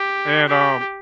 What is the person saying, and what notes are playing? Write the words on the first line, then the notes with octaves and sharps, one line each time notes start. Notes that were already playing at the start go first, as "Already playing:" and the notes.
and, um,
Already playing: G4
G4